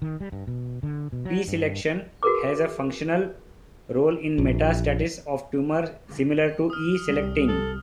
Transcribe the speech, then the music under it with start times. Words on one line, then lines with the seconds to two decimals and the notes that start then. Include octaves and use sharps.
P-selectin has a functional role in metastasis of tumor similar to E-selectin.
0.02 D#3
0.21 G3
0.32 G2
0.47 B2
0.83 D3
1.13 B2
1.25 F#3
1.48 G2
2.23 F#4 G#4 A#4 B4 D6
4.38 A#1
6.70 D#6 F6
7.09 C2 G3 G4
7.48 A4